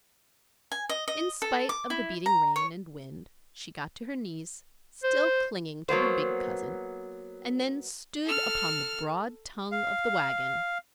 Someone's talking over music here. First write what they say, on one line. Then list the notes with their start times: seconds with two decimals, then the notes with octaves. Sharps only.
In spite of the beating rain and wind she got to her knees, still clinging to her big cousin, and then stood upon the broad tongue of the wagon.
0.72 G#5
0.89 D#5
1.08 D#5
1.42 A4
1.69 D6
1.90 E4
2.26 A#5
2.56 C#5
5.03 C5
5.89 F#3 A#3 B3 C5
8.25 A4 F6
9.72 F5